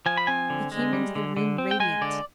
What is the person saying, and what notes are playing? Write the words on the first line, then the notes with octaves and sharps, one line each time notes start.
He came into the room radiant.
F3 G#5
B5
C4 G#5
D3
G#3
G3
D3
D3
C4
G5
G#3 G#5
D3 D5